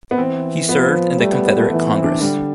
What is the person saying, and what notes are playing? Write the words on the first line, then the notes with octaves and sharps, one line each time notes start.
He served in the Confederate Congress.
B3
E3 C4
F3 B3
G3 A3
B3
B3
A3
E3 B3
C4
D4
D3 G3